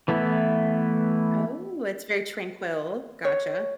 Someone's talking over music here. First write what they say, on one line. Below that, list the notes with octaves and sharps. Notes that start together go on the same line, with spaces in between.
Oh, it's very tranquil, gotcha.
E3 A3 B3 E4
C#5